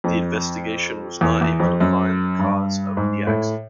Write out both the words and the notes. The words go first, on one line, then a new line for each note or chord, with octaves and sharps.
The investigation was not able to find the cause of the accident.
F2
E2
E2
F2
F#2
G2
G#2
A2